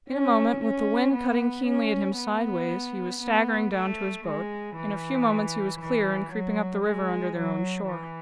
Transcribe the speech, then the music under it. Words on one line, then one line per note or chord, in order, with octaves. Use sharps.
In a moment, with the wind cutting keenly at him sideways, he was staggering down to his boat; in a few moments he was clear, and creeping up the river under their own shore.
C#4
C#4
B3
C#4
B3
B3
A3
G#3
E3
E3
F#3
G#3
F#3
E3